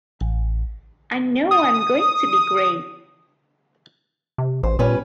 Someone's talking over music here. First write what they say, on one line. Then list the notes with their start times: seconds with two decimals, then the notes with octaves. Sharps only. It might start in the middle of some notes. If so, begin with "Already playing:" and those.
I know I'm going to be great.
0.21 A1
1.51 D#6
4.38 C3
4.63 A1 C5
4.79 A#2 G3 C#4 B4